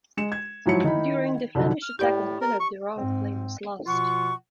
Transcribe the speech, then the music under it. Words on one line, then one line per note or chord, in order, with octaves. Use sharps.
During the Flemish attack on Philip, the oriflamme was lost.
G#3 C#7 E7
G#6
G#2 F3 F#3 E4 C#5 C#7
D#3 D#4 E4 B5
C2 D3 F3 F#3
F6
A2 G4 D5 G5
A#4
C#6
G#2 C4
B2 F3 F4 F#5 C#6